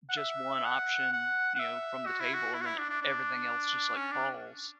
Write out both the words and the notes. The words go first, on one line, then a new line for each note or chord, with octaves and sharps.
just one option, you know, from the table, and then everything else just, like, falls.
F#5
E5
F#5
F#5
F#5
E5
F#4
E4
F#4
E4
F#4
E4
D4
D4
D4
C#4
D4